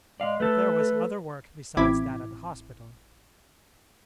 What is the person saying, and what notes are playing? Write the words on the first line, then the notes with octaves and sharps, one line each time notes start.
But there was other work besides that at the hospital.
G#3 D5 F5
A3 A4 B4
A1 C4 E4 D6 G#6 B6